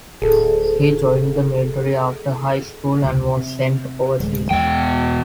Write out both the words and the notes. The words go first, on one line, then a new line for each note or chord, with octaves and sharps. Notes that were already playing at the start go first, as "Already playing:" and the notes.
He joined the military after high school and was sent overseas.
D1 G#4 A4
E1 C#2
C3
D1 G#3
E2 B2 E3 G#3 G5